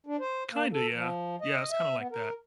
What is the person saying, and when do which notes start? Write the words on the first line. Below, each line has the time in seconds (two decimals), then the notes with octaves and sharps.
Kinda, yeah. Yeah, it's kinda like that,
0.06 D4
0.19 C5
0.52 A#3
0.72 A4
0.94 F3
1.41 D#5
1.71 E5
1.97 B3
2.11 A#4